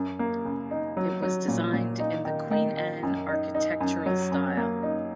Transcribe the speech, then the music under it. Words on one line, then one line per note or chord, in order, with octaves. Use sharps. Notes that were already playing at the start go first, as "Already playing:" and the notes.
It was designed in the Queen Anne architectural style.
Already playing: F#2
A#3
C#3
D#4
F#3
F#3
A#2
A#2
D#4
D#3
D#3
D#3
F#2
D#4
D#4
F#2
F#3
F#2
A#3
D#4